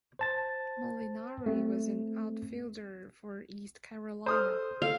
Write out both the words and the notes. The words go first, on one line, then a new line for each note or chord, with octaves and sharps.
Molinari was an outfielder for East Carolina.
C5 A5 A6
A3 C4
A4 C5 D#6 F6
A4 F5